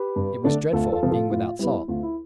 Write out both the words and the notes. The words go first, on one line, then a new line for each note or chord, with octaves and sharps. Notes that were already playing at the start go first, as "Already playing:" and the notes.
It was dreadful, being without salt.
Already playing: G4 B4
G2
D3 A3 D4
D2 F4 A4
F4 A4
C3 F3
F4 A4
A2 F4
G3 B3 E4
D2 F4
E4